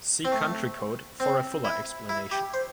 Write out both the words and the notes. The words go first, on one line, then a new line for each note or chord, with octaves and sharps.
See country code for a fuller explanation.
C4
A3
C4
E4
E4
G4
C5